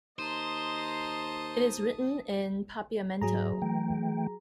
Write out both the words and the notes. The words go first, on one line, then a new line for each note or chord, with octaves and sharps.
It is written in Papiamento.
D#2 C5 D#5 A5 A#5 C6 D#6
G#2 F#3 G#4 A#5
E3 A3 G5